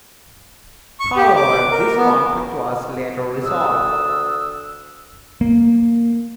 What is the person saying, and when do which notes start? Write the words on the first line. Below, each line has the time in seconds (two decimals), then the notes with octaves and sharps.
However, this conflict was later resolved.
1.00 C#6
1.17 G4
1.36 D6
1.71 A#4
1.97 B3
3.44 D2 D4 D#6 E6
5.41 A#3